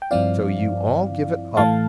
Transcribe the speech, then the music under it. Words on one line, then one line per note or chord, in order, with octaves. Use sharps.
So you all give it up?
G5
G2 F3 C4 E4 D5 F5
A2 E3 A3 F5 A5